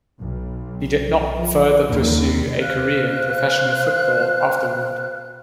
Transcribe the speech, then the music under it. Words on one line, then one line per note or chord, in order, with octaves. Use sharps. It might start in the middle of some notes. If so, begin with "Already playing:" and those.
He did not further pursue a career in professional football afterward.
B1
F3
D#2
C5 F5 F6 F#6